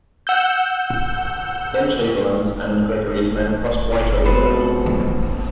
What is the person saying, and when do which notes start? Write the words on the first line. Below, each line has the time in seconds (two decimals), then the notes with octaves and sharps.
Then Chamberlain's and Gregory's men crossed White Oak Road.
0.27 F#5 E6 G6
4.25 C#2 B2 B3 C4 A4 C5